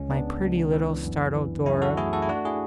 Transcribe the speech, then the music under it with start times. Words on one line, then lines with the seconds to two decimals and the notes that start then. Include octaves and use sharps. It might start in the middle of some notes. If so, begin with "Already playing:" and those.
My pretty, little, startled Dora!
Already playing: C#2 C#4
0.10 C#3 B3 D4
0.41 C#2
0.73 E3
1.04 F#2
1.36 E3
1.66 F#2 C#4 E4
1.82 F#4 A4
1.97 A3 E4 G#4
2.13 F#4 A4
2.22 E4
2.29 A3 D4 F#4
2.45 E4 G#4